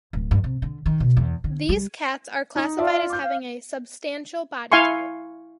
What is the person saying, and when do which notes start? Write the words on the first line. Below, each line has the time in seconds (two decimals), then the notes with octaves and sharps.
These cats are classified as having a "substantial" body type.
0.13 D1
0.31 G2
0.44 C3
0.62 D3
0.86 D#3
1.00 B2
1.17 E2
1.44 D3
1.69 G3
2.56 D#4
2.78 F4 D5 E5 A5
3.10 D6 G6
3.23 F5
4.72 E4 F5 G#5 C6 C#6